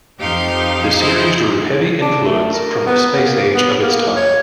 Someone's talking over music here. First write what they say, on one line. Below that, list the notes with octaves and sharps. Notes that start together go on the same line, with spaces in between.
The series drew heavy influence from the Space Age of its time.
F2 F3 D#4 G4 F5 C6
D#4 E4 G#4 C5
D4
A3
A#4
B3
A#3
B3
A#3
C#5